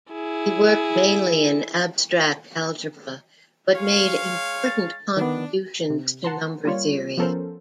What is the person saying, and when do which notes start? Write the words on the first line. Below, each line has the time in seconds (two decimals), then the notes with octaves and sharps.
He worked mainly in abstract algebra, but made important contributions to number theory.
0.12 E4 G#4
3.75 G#3 C#5 F5
4.66 A6
5.17 D#3 B3 D4
5.90 C3
6.24 F#5 A5 A#5 C6
6.65 G3 A#3 F4 C#5
7.17 F3 B3 C#4 A4 A#4 C5